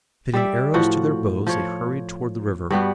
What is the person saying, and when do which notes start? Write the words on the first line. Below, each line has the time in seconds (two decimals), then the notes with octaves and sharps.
Fitting arrows to their bows they hurried toward the river.
0.34 G3 D5 E5
0.74 A2 F3 F#4 F#5
1.47 F3 C#5
2.70 G2 G3 B3 F#4